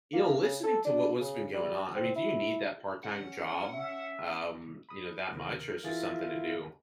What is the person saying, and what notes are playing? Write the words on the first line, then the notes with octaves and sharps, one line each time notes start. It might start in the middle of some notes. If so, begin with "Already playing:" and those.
you know, listening to what what's been going on I mean, do you need that part-time job, um, you know, that much, or it's just something to do?
A#3
C#3
A4
D4
C#3
G3
C4
E4
C#4 F#5
E5
B5 D#6
D#2 C3 A#4
E3 E4 F4 G#4 A6